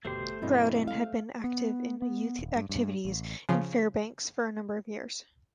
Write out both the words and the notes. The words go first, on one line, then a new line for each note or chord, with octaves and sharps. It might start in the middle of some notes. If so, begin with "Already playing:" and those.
Growden had been active in youth activities in Fairbanks for a number of years.
G1 B2 A3 G4 C5 C6
G2 B2 E3 C4 E4 D#5
F5
B3
B3
D#1
G2
G2
A1
C#3 F3